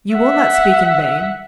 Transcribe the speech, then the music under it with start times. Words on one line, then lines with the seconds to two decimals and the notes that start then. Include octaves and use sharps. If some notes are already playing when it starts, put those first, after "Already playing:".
You will not speak in vain.
0.15 E5 F#5